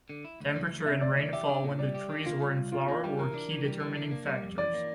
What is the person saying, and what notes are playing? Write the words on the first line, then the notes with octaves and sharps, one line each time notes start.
Temperature and rainfall when the trees were in flower were key determining factors.
D3
E4
D2
E3
D2
C3 E5
D2 D5
E3 D5
D5
G4 E5
D4
A#2
G3 D5
G4
D4
A#3 F4
G3
C2
C3 F4
A#3 F4
G3 G4
E3 A#4
D4
E3
G3
E3
D4
A#3
G3
F2
E3 D5
A#3